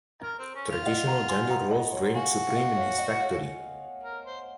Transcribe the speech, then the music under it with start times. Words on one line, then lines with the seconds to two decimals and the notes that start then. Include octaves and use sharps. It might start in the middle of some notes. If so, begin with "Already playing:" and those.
Traditional gender roles reigned supreme in his factory.
0.23 A#4
0.39 C4
0.55 C#4
0.70 F4
0.82 F5
0.86 D#5 F#5
1.07 F#5 A#5
1.28 G#5 C6
1.50 F#5 A#5
1.71 D#5 F#5
1.92 C#5
2.13 F#4 F5 G#5
2.48 F5
2.56 D#5 F#5
2.77 C#5 F5
2.98 D#5 F#5
3.19 C#5 F5
4.04 A#4
4.25 C5